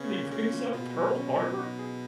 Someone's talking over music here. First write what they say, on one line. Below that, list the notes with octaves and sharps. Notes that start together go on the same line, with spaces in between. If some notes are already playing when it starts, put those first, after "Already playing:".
And he brings up Pearl Harbor,
Already playing: C#3 B3 C#4
A#2
C#3 G#3 C#4
A#2
B2 B3 F4
F#3
C#4
F#3
D#4
G#4